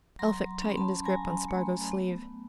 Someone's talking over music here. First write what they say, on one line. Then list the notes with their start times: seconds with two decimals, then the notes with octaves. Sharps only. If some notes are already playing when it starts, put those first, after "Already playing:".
Elphick tightened his grip on Spargo's sleeve.
0.19 F#3 A#5 C6
0.62 C#4 B5
0.70 C6
0.77 A5 B5
1.05 F#3 G#5 A#5
1.48 A3
1.92 B3